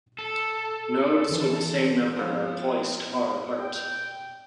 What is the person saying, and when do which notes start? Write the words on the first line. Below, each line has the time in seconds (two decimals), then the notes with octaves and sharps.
Nodes with the same number are placed far apart.
0.19 A4
1.26 D#3 E3
2.16 F3 A#3 B3 C#4 F4
3.58 G5